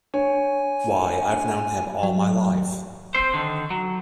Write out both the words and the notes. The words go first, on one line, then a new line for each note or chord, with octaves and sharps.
Why, I've known him all my life.
D4 C#5 G#5
F#3
C4 C5
D3 D#3
F#3